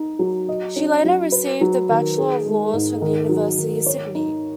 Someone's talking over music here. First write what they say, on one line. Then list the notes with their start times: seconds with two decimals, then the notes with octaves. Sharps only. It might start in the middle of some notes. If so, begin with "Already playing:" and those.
She later received a Bachelor of Laws from the University of Sydney.
Already playing: D#4
0.19 F#3
0.49 D#5
0.76 C#4
1.04 F#3
1.32 B4
1.61 F#3
1.90 D#3
2.18 G#4
2.46 G#3
2.73 G#2
3.02 D#3
3.29 F#3
3.58 D#3
3.86 C#5
4.15 D#4